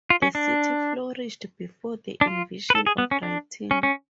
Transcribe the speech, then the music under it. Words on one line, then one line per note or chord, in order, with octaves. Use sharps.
The city flourished before the invention of writing.
F4
C#4
D4
D4
F4
B4
A4
G#4
B3
C#4
D4
C#4
C#4